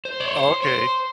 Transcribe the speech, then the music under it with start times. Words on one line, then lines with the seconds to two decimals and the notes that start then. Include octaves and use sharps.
Oh, okay.
0.05 C5
0.20 D5
0.28 C#5
0.36 C5
0.63 C#5
0.67 C5